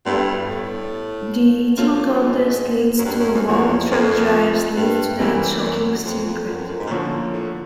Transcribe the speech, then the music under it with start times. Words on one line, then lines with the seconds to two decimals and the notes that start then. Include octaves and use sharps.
The eating contest leads to a long truck drives leads to that 'shocking secret'.
0.06 G2 G3 B3 E4 A4
0.49 A2
1.77 B2 F#3 A3 C4 F4
2.20 G#2
2.98 F#2
3.05 G2
3.19 F#2
3.34 F2
3.48 E2 F3 A#3 C#4 F#4
3.91 F2
4.76 G2
5.19 F#2 E3 G3 C4 E4
5.62 F#2
6.05 F2
6.26 F2
6.47 F#2
6.58 F2
6.69 F#2
6.79 G#2
6.86 A#2
6.90 A2 D3 F3 A#3 C#4
7.33 A2